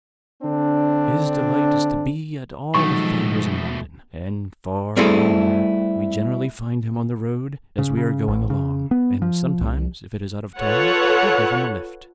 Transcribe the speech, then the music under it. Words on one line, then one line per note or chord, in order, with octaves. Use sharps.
His delight is to be at all the fires in London; and, far or near, we generally find him on the road as we are going along, and sometimes, if it is out of town, we give him a lift.
D3 C4 D4
B2 D#3 F3 F#3 G#3 A3 C#6
G3 A3 C4 E4 G#4 A4
C#3
C#3
A1
C#3
B3
F3
C2
F4 A4 B4 C#5 F#5